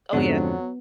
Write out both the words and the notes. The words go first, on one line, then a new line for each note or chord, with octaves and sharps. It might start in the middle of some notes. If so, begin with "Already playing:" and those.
Oh, yeah.
F2 G#2 D3 F#3 B3